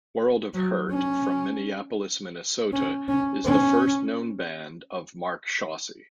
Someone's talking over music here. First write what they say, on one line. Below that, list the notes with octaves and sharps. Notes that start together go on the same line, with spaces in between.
World of Hurt from Minneapolis, Minnesota is the first known band of Mark Chaussee.
F#3
C#4
C#4
C#4
C#4